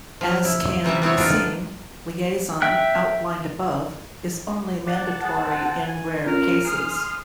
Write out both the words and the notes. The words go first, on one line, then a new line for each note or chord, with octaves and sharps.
As can be seen, liaison, outlined above, is only mandatory in rare cases.
F3
E4
C3 E3 G3 E5
B3 C4 E4 C#5
D4 D#4 F4
E5 G5 F#6
D5 F#5 A5
G#4
C4
G#5
C#4 F4 A#4
G#4 C6 D#6 F6